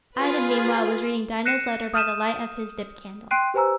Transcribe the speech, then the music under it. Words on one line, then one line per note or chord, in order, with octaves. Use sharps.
Adam, meanwhile, was reading Dinah's letter by the light of his dip candle.
F4 G#4 B4
F#6 A#6 C7 C#7 D#7 E7
D#6 F6 G6 D#7 E7
G5 C6 F#6 C7 D7 D#7
G4 B4 C5 G#5 A#5 E6